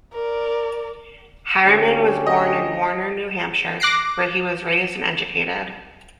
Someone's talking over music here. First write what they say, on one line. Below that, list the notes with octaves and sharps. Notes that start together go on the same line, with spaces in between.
Harriman was born in Warner, New Hampshire, where he was raised and educated.
A#4 D5
D2 C#4 G4
D#5
D6 F#6 A#6 C7 D7